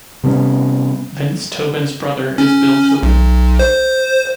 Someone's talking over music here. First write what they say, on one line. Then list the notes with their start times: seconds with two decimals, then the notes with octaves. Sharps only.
Vince Tobin's brother is Bill Tobin.
0.24 C3 G3 B3 C#4
2.38 C#4
3.03 B1
3.59 C5